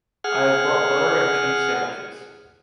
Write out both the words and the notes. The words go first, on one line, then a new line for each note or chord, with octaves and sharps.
I have brought butter and cheese sandwiches.
G#4 F#5 F6